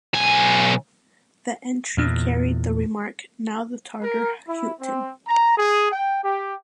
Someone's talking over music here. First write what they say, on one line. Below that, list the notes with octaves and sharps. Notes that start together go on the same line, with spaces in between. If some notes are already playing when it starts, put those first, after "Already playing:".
The entry carried the remark "Now the Tartar Houghton".
B1 G#5
E2 A#2
A#4
E4
C4
A#5
G#4
G5
G4